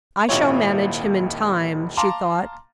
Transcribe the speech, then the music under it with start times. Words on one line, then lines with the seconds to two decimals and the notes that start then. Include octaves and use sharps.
"I shall manage him in time," she thought.
0.29 D#1 G#1 D#2 E4 F4 C#5
1.97 F5 A5 A#5 C6 D6